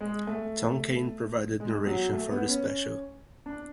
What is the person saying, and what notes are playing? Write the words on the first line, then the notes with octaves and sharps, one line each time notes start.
Tom Kane provided narration for the special.
G#3
A3
G#3
F#3
A3
B3
C#4
D4